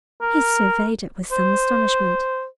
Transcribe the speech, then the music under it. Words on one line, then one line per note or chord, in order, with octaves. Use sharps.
He surveyed it with some astonishment.
A#4
C5